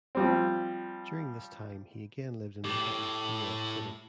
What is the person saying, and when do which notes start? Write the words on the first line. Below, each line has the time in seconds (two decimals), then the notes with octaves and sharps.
During this time he again lived in Manhattan, New York City.
0.15 F3 G3 C4
2.65 A2 G4